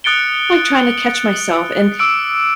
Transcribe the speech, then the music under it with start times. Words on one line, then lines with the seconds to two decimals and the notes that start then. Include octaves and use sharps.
like, trying to catch myself and
0.04 D#6 F#6 A6 C#7 D7 G7
1.99 D6 E6 D7